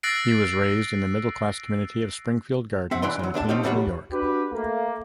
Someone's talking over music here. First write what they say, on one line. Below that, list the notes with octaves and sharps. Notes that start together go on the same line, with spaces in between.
He was raised in the middle-class community of Springfield Gardens, in Queens, New York.
E6 F#6 A6 A#6 C7 D7
C4 E5 F#5
C#2 E3 D4 C6
D2 F#3
D3 D4 E5 A5
F3 C4 C#4 D#4 G4
E2 B2 G3 F4 C#5 F#5
D4 F#4 G4 B4
A3 A#3